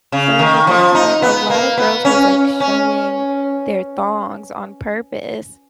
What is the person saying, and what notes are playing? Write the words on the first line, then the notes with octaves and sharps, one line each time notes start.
started make a comeback, a lotta girls was, like, showing their thongs on purpose
C#3
D#3
F3
D#4
B3
A#3
B3
C#4
C#4